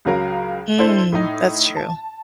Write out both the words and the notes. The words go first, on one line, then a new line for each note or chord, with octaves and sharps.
Mm, that's true.
C#2 C#3 F#3 A#4 F5
D4 E4 A4 C5
A2 D#4
A5